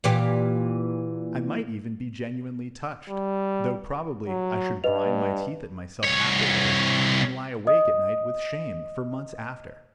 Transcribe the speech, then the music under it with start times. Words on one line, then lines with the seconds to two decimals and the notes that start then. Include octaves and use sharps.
I might even be genuinely touched, though probably I should grind my teeth at myself afterwards and lie awake at night with shame for months after.
0.04 A#2 E3 G4
3.09 G3
4.27 F#3
4.84 G2 B4 D#5 F7
6.03 C2 C#5
7.67 D#5 D#6